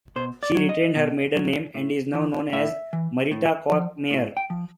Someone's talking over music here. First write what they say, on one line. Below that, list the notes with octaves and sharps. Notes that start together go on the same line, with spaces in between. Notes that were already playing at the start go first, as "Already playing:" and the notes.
She retained her maiden name, and is now known as Marita Koch-Meier.
B2 C5
D5
F#3
D#5
B2
F#3
A2
E3
A2 E5
E3
A2
F3
A2
G5
F3